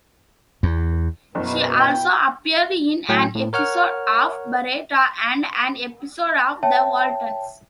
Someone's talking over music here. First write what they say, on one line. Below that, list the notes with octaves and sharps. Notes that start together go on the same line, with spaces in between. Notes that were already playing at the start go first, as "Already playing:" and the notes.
She also appeared in an episode of "Baretta" and an episode of "The Waltons".
E2
F#1 B2 B3 E4
G5
A2 F#3 G5 G#5
A2
A#4 C#5 F#5 F6
C#5 E5 G5 A5